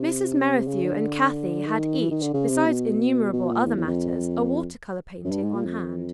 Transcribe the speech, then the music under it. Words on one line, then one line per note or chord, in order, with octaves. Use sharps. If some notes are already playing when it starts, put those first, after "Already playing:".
Mrs. Merrithew and Kathie had each, besides innumerable other matters, a water-colour painting on hand.
Already playing: C3
C#3
D3
D#3
E3
D#3
D3
C#3
C3
B2
B2
A#2
E2
E2
F2
F#2
G2
G#2
A#2
F2